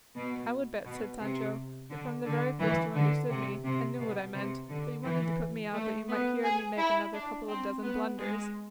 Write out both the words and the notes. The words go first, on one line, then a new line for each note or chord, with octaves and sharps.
"I would bet," said Sancho, "that from the very first you understood me, and knew what I meant, but you wanted to put me out that you might hear me make another couple of dozen blunders."
B2
B2
C3
D3
D3
E3
D3
C3
C3
B2
C3
D3
E3
A3
B3
G#4
E4
D4
C4
B3
G#3